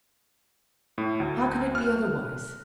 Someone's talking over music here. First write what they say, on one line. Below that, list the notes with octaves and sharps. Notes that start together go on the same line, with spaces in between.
How can it be otherwise?
A2
D2
F6 F#6